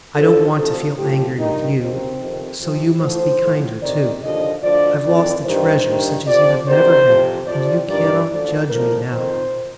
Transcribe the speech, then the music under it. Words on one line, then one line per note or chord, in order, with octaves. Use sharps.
I don't want to feel angry with you, so you must be kinder, too, I've lost a treasure such as you have never had, and you cannot judge me now.
D#2 D3 F3 A4
D2 C3 F3 A4
A2 F3 G4
G2 D#3 D#4
D#2 D#3 C4
F2 C3 D#3
F2 C3 F3
A2 F3 C5
A2 F3
F2 C3 D#3 D5
D#2 D3 F3 D#5
D2 D3 F3 D5
F2 D#3 D5
G2 D#3 C5
G2 D#3
F2 C3 F3 D5
D2 C3 D#3 C5
F2 C3 F3
F2 C3 F3 D5
G2 D#3 D5
D2 D3 F3 D5
A2 F3 A#4
F2 D#3 C5